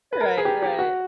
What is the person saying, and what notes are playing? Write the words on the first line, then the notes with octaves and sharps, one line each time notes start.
Right, right.
B4
A#4
G#4
G4
G4
F#4